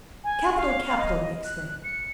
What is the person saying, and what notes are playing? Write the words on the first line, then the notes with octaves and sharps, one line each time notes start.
"Capital! capital!" he exclaimed.
G#5
F5
D#5
F#6
C#7